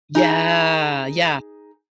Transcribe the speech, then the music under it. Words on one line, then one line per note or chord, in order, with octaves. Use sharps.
Yeah, yeah.
D#4 G#4